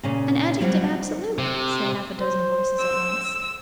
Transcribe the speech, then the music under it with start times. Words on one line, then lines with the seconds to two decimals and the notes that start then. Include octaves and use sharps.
'An adjective absolute,' said half-a-dozen voices at once.
0.03 A#2 C#3 C#4
0.61 F#3 G3 C4 F4 F#4
1.38 C3
2.18 C5
2.80 E6